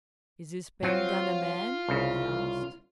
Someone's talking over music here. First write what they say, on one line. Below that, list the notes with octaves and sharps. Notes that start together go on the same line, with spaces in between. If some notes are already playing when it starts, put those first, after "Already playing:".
"Is this Ben Gunn a man?" he asked.
F#3 C4 F4
C2 C#3